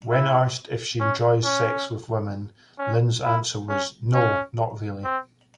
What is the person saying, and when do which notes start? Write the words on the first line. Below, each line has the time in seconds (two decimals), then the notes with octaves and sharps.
When asked if she enjoys sex with women, Lynn's answer was: No, not really.
0.10 E4
1.00 C#4
1.44 C#4
2.79 C#4
3.25 E4
3.69 C#4
4.14 C#4
5.04 C4